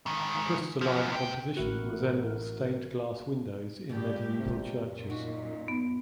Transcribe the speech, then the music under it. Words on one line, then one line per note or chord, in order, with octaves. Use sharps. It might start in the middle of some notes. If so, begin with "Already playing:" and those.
The crystalline composition resembles stained glass windows in medieval churches.
G#2 D#3
F#2 F3
C3 G5
A1 E4 F#4 A#4 F#5
G#2 B2 G3 G#3 A#3 G4
C3
F#2 A#2
F#3 D#4 F#4
B3